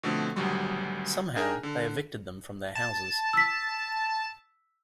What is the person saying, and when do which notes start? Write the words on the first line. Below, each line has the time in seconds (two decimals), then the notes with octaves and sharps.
Somehow, they evicted them from their houses.
0.03 B2 D3 F3 A3 C4
0.36 G#1 D2 B2 F#3 G3 C6
1.35 D4 D#4 G#4 A#4 G5 G#5
1.63 D3
2.75 A5
3.33 E6 B6